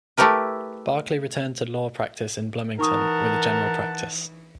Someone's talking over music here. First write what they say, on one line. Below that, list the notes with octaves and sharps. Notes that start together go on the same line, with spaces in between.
Barkley returned to law practice in Bloomington, with a general practice.
A3 E4 G4 A#4 B4
E3 D#4 A#4 F#5 A5 C#6 D#6